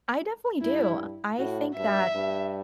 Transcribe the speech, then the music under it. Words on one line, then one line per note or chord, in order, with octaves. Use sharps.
I definitely do. I think that,
G2 E4
A2 F#4
G2 E5
G2